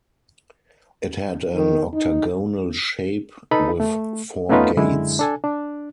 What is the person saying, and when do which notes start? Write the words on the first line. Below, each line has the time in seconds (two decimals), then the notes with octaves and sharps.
It had an octagonal shape with four gates.
1.55 D#3
1.93 D#4
3.51 D#4 A4 B4 B5
3.80 A3
4.49 A3 B3 C#4 D#4 F4 B4
4.77 F#2 D3 G#3 E4
5.19 D4 A4 G#5
5.44 D4